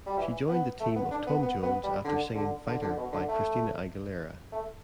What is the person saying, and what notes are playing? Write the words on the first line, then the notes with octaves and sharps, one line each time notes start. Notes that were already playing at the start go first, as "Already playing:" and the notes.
She joined the team of Tom Jones after singing Fighter by Christina Aguilera.
G3
E3
B3
A3
B3
D4
B3
B3
B3
G3
D3
D3
D3
D3
B2
D3
A3
A3